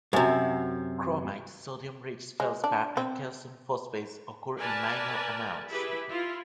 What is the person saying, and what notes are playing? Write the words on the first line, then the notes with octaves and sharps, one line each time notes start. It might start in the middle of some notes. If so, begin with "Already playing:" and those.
Chromite, sodium-rich feldspar and calcium phosphates occur in minor amounts.
F#2 C3
G#3
D4
C4
A#4 B4 D5 G#5 A5
E4 G4 G#4 B4
E4 F4